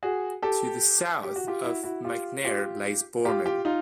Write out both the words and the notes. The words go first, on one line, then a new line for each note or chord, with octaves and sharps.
To the south of McNair lies Borman.
F#4 G#4
G4 A4
G4
F#4
F4 G4
E4 F#4
E4 F#4
F4 G4
F4 G4
F4 G4
F4 G4
D#4 F4